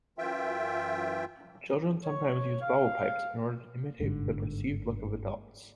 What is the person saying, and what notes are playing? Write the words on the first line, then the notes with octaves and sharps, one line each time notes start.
Children sometimes use bubble pipes in order to imitate the perceived look of adults.
F#2 E3 F4 E5 G5
C#5
F5
G1 G#2 D3